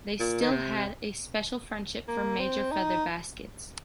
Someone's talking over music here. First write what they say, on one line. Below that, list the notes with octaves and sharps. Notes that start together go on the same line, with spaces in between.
They still had a special friendship for major feather baskets.
A#2
D#3
C3
A#3
C4
D#4